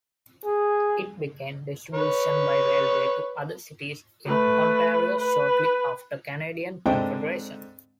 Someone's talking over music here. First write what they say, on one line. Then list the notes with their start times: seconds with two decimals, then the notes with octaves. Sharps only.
It began distribution by railway to other cities in Ontario shortly after Canadian Confederation.
0.45 G#4
1.94 B4 C#5
4.25 A3 B4
5.20 B4
6.86 G#2 D3 C4 C5 D#5 G5